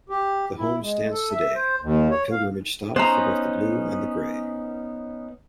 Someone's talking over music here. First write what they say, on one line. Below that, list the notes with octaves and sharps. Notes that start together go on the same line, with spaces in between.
The home stands today, a pilgrimage stop for both the Blue and the Grey.
G4
E4
G#3
A4
E5
C5
D#2
C#5
F5
B3 C#4 D#4 C5 A#5